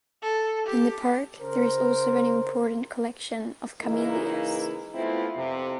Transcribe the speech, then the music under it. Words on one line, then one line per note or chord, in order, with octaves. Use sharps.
In the park there is also an important collection of Camellias.
A4
G4
C#3 A#4 C5
C#3 E3 G#3 A#3 D#4 E4
A3 B3 C4 E4 F4
F2 C3